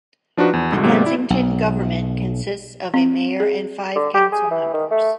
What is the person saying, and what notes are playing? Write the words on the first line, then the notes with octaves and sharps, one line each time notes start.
The Kensington government consists of a mayor and five council members.
F3 D4 D#4 F#4 B4
E2
C2 G#2 D3 F#4
G#2 C3 F#3 A#3 B3
E4 D5
B1
C4
G#4
D3
G4
G#4
E3
D#3
A3